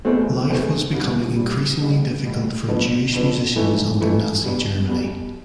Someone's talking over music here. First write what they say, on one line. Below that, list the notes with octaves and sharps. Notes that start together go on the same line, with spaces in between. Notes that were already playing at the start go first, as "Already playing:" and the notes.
Life was becoming increasingly difficult for Jewish musicians under Nazi Germany.
E1 E2 B2 A3 C4
E1 E2 B2 A3 C4
C2 C3 G3
C2 C3 G3
A1 A2 G3
A1 A2 G3
G1 F2 D3 F3 B3
G1 F2 D3 F3 B3
F2 E3 A3
F2 E3 A3
B1 B2 G3
B1 B2 G3